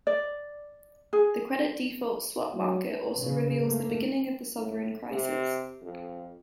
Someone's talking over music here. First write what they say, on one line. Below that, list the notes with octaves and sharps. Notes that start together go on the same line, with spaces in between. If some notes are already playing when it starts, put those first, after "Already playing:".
The Credit default swap market also reveals the beginning of the sovereign crisis.
D5
G#4
F#3
B4
C#3
A3 A#3
A2
C3
F2